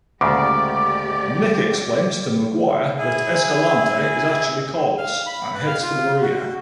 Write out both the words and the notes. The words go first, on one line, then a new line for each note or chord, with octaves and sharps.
Nick explains to Maguire that Escalante is actually Carlos and heads for the marina.
D2 A#2 C#3 G#3 G4 D5 D6
E4 G#4 G#5
F5
B5
B4
F5
F4
F#4